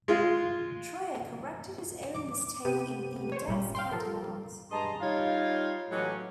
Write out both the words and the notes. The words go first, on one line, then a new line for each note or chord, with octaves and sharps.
Dreyer corrected his own mistake in the Index Catalogues.
G#3 F4
D6
C3 B3 G4 D#7
C5 C#5
G#1 A#2 G3 C#4
F5 G5 C6
F3 A4 A#4
G2 G#3 D#5 A5 A#5 C6
G3 D#4 F4 C#5 F5
A2 E3 F#3 G#3 C#4 G4